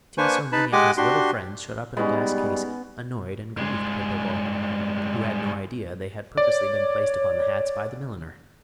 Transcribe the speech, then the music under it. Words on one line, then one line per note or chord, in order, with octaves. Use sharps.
To see so many of his little friends shut up in a glass case annoyed and grieved Popopo, who had no idea they had purposely been placed upon the hats by the milliner.
A#3 D4 B4 C5 G#5 C#6
D#4 B4 A5 B5
G#3 G4 D#5 F#5 G#5 D6
D4 F#4 G4 C6
G3 G#3 B3 C#4 D#4 D#5 B5
G2 G#3
C#5 D5